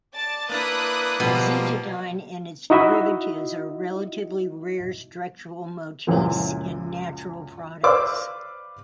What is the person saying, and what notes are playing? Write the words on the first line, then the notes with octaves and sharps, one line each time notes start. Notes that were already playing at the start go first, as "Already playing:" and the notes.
Azetidine and its derivatives are relatively rare structural motifs in natural products.
D5 A5 A6
A#3 D4 E4 B4 D#6 F#6
B2 F3 G3 A#3
D#4 E4 F#4 D#5 E5
C#2 F#2 A#2 E3 F3
B4 C5 D5 F5 D6 E6